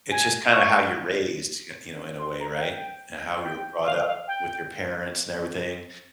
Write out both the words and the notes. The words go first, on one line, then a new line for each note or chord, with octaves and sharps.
It's just kinda how you're raised, you you know, in a way, right? And how you're brought up with your parents and everything.
G#5
C#6
C6
A#5
F5
G5
G5
F5
F5
G5